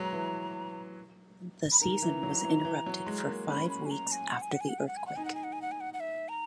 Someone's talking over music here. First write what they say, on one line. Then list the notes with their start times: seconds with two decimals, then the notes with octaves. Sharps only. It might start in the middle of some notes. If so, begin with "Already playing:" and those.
The season was interrupted for five weeks after the earthquake.
Already playing: F#3 G#3 B3 A#5
0.13 E3
1.72 B5
1.81 D#3 A#5
2.02 E3
2.23 F#3
2.43 E3
2.65 E3
2.86 F#3
3.06 G#3
3.27 A#3
3.49 C#4 B5
3.70 B5
3.86 G#5
3.91 A#5
4.12 G#5
4.32 F#5
4.42 G#5
4.51 F#5
4.61 G#5
4.69 F#5
4.79 G#5
4.87 F#5
4.97 G#5
5.07 F#5
5.16 D#4 G#5
5.25 F#5
5.35 G#5
5.44 F#5
5.53 G#5
5.62 F#5
5.72 G#5
5.81 F#5
5.94 F#5
6.00 E5
6.29 A#5